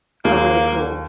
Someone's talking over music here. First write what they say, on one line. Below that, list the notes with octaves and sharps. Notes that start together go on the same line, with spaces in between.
are really cool.
D#2 A#3 F4 G#4 F5